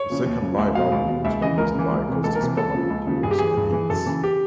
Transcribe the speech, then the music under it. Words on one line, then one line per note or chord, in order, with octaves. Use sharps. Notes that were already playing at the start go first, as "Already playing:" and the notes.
The second live album was produced by Costis Papadopoulos and Hicks.
Already playing: C#5
C#3 F3
D#2
C#3 F3
C#2 E5
B2 F5
C#2
B2
C#2 E5
C#3 E3 D#5
C#2 A#4
C#3 E3
C#2
C3 E3
C#2 A4
A#4
C3 E3
C#2 A4
C#3 F3
C#2
C#3 F3
G2 G#4
G4
E3 G#4
G2
E3
F#2 A4
C#3 E3
G4